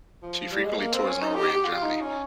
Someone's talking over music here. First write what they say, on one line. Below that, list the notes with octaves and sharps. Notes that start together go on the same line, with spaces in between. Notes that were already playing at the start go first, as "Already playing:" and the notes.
She frequently tours Norway and Germany.
F3
G3
G#3
A#3
C4
C#4
D#4
G4
G4
F4
D#4
C#4